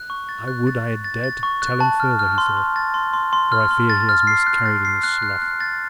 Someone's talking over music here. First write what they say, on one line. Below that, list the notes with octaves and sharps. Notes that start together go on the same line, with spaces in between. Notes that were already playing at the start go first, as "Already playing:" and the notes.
"I would I had dared to tell him further," he thought; "for I fear he has miscarried in the slough."
Already playing: F#6
C#6
A6
F#6
A6
A6
A6
A6
C#6
F#6
A5
F6
F6
C6
C6
A6
C6
C6
C6
F6
C6
A6
F6
C7
F#6
A6
C7
F#6
F#6
F#6
A6